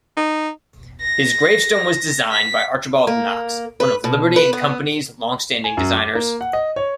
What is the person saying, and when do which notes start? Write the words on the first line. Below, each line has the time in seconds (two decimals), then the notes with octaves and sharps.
His gravestone was designed by Archibald Knox, one of Liberty and Co.'s long-standing designers.
0.17 D#4
1.01 A#6
2.31 B6
3.07 A#3
3.80 B4
4.04 B2
4.36 B4
4.53 B3
5.64 G#5
5.77 F#2
5.95 D6
6.15 A#3
6.41 F#5
6.53 D#5
6.76 C#5